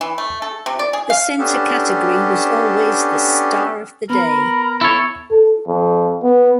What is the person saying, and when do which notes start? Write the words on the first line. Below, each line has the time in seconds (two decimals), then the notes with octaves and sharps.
The center category was always the "Star of the Day".
0.01 E3
0.18 A3
0.42 A4
0.66 C3
0.79 D5
0.93 G#4
1.10 F5
1.39 B3 C#4 D4 G4 A4
4.10 B3 A#4 B5
4.81 E4 A4 C#5
5.31 A4
5.67 F2
6.23 B3